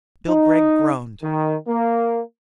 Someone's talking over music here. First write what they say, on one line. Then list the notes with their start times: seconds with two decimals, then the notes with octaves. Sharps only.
Bill Gregg groaned.
0.28 D#4
1.23 D#3
1.68 A#3